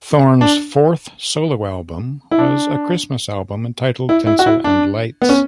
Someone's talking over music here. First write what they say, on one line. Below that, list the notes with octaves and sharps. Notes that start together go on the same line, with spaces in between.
Thorn's fourth solo album was a Christmas album entitled "Tinsel and Lights".
D4
E4
D4
E4
E4
F#4
E4
D4
B3
C#4